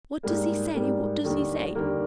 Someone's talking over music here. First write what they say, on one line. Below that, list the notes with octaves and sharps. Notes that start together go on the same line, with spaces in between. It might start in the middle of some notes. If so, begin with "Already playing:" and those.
'What does he say, what does he say?
G#2 G3 A#3
G#2 G3 A#3
D#2 D3 G3 A#3
D#2 D3 G3 A#3